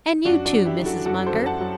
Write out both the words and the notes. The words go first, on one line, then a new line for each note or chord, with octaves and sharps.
And you too, Mrs. Munger.
F#2 D4 F#4
D4 F#4
F#2
E4 G4
F#3
F#4 A4
F#2 F#4 A4
A4 C5
F#2
F#5 A5
F#3